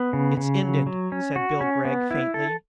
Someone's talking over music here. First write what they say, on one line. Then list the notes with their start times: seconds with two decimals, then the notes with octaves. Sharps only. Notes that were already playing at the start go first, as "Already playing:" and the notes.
"It's ended," said Bill Gregg faintly.
Already playing: B3
0.13 C#3
0.37 C#3
0.63 F#3
0.87 F#3
1.12 C#4
1.36 F#4
1.61 C#4
1.85 B3
2.11 E4
2.34 A4